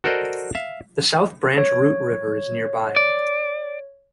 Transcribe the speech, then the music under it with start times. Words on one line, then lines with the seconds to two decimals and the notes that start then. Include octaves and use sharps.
The South Branch Root River is nearby.
0.04 F#4 A4 A#4 C5 D5 D#5
0.55 E5 F5
1.58 C#5
2.96 D5